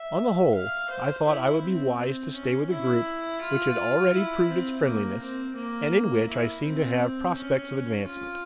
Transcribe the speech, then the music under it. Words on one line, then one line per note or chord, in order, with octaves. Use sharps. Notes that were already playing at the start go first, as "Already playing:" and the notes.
On the whole, I thought I would be wise to stay with a group which had already proved its friendliness, and in which I seemed to have prospects of advancement.
Already playing: E5
F5
C5
E4
C4
C4
C#4
E4
F4
E4
C4
A#3
C4
A#3
E4
C4
C#4
F4